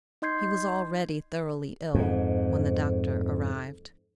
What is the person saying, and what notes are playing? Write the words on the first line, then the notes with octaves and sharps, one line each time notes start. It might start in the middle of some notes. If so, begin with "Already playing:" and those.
He was already thoroughly ill when the doctor arrived.
D#4 D#5 C6 G6 G#6 C7
F2 G#2